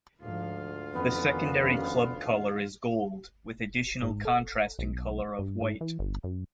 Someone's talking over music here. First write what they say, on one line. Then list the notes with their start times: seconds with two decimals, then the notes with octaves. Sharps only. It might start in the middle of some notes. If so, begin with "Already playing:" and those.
The secondary club colour is Gold, with additional contrasting colour of white.
0.22 D2 G#2 F3 F4 F5
0.93 F2 D#3 B3 C#4
4.02 G#2
4.25 A4
4.79 B1
5.39 G2
5.60 G#2
5.81 E3
5.99 G1
6.24 F#2